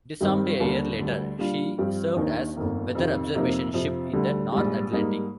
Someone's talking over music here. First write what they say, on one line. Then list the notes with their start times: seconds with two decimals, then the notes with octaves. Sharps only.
Disarmed a year later, she served as weather observation ship in the North Atlantic.
0.21 G2 D#3 G3 C4 G4
0.60 D#2 D3 G3 A#3
0.99 D2 D3 G3
1.38 A#2 G3 D4 F4
1.78 G2 F3 C4 G4
2.16 D#2 D#3 A#3 D4
2.56 G1 F2 D#3 A#3
2.95 F2 C3 D#3
3.34 F2 C3 F3 A#3 D#4
3.73 F2 C3 F3
4.13 D2 D3 G3
4.52 A#1 G#2 G3
4.92 G#2 G3 A#3 D#4